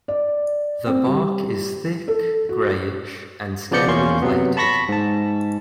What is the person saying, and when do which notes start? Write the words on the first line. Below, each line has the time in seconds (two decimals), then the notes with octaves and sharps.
The bark is thick, greyish, and scaly plated.
0.08 D5
0.86 C4
1.07 G3
2.08 A4
2.49 F#4
3.71 C#3 F3 B3 D5 G6 C#7
3.88 E2 A#3 C#4 C6 C#6
4.22 C3 F#3 B3
4.57 A5 B5 C#6 A#6 B6
4.89 G#2 A5